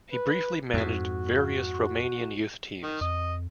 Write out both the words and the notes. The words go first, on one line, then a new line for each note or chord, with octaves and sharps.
He briefly managed various Romanian youth teams.
B4
F2 G#2 F#4
D#3
F2 D#5